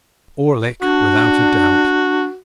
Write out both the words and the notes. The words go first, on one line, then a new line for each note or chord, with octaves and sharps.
Orlick, without a doubt!
D4 F#4